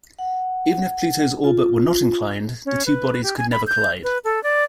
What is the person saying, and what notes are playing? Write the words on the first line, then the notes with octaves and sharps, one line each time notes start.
Even if Pluto's orbit were not inclined, the two bodies could never collide.
F#5
F4
C#4
B4
G4
G#5
B5
G6
B4
A4
D5